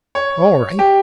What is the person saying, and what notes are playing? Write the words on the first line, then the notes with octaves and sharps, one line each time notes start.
'All right.
C#5
G4